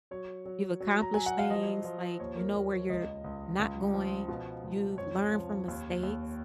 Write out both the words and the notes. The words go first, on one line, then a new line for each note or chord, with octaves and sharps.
you've accomplished things, like, you know where you're not going, you've learned from mistakes.
F#3 C#5
F#3
F#3
A#5
F#3 G#5
F#5
F5
F3 D#5
F3
D#2 C#5
A#4
D#2 C#5
C#5
C#2 D#5
C#2
C#2
F3
B2
C#2
F2 C#5
F3
D#2
D#2